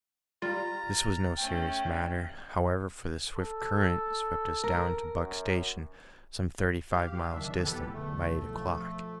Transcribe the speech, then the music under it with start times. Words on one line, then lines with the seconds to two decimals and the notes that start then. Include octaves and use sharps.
This was no serious matter, however, for the swift current swept us down to Buck Station, some thirty-five miles distant, by eight o'clock.
0.42 G3 F4 A#5 F6 A6
1.37 A3 C#4 G5
3.36 A4
4.64 A#4
5.22 F#2
6.93 G4 F5
7.32 F#1 D#3 D4 E5
7.64 F2 E3 B3 G4 A4 B4
7.94 B1 E2 D3 A3
8.47 F3